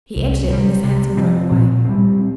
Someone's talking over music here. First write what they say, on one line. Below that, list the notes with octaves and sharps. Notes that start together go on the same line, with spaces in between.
He entered it, and his hansom drove away.
C2
C3 G3
C3
F3 C4
A#2
G3 C4